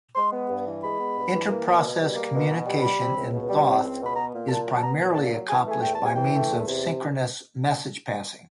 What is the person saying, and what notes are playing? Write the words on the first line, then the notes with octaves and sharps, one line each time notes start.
Inter Process Communication in Thoth is primarily accomplished by means of synchronous message passing.
G#3 C6
B3
G2
E3
G#3 B5
B3
G2
E3
A#3
B2
B2
G3
A#3
B2
B2
G3
G3 B5
C4
C#2
B2
G3
C4
C#2
B2
B5
B3 A#5
A#2
A#2 A5
F#3
A5
B3 A#5
A#2
A#2 A5
F#3
E3 G#5
A3 G#5
E2 G5
C3 A5
G#5
E3 G5
A3
E2
C3